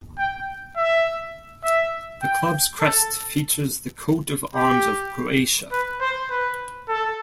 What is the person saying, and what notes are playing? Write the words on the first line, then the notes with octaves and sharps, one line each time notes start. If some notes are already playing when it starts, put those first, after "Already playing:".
The club's crest features the Coat of Arms of Croatia.
G5
E5
E5
G5
A4
G4
B4
C5
B4
A4